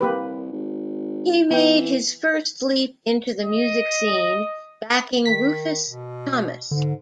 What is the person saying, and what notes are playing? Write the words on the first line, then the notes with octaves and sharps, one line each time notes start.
He made his first leap into the music scene backing Rufus Thomas.
C2 A#3 G4 B4
G#1
E3 B3 G5
D#5
D#3 B6
B2
G#2 D3